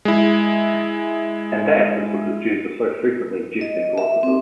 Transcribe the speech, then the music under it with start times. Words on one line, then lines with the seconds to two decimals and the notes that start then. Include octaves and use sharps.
And that is because Jews are so frequently jesting philosophers.
0.05 G#3 E4
3.61 D#5
3.98 E5
4.23 C4